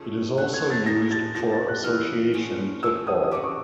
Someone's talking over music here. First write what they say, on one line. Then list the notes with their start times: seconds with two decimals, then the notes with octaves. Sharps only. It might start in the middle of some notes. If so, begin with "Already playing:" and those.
It is also used for Association Football.
Already playing: C#3 F3 A3
0.38 D3 F#3 A3 F#6
0.54 G#6
0.70 A6
0.86 G#3 B3 D#4 A#6
1.11 A6
1.35 F3 A#3 D4 G4 A#6
1.52 A6
1.68 F#6
1.84 E3 G3 B3 E4 F6
2.34 F3 G#3 C#4 F#4
2.83 C3 F3 A#3 C#4 E6
3.07 D#6
3.23 D#6
3.31 A3 D4 F#4 B4 D6
3.43 C#6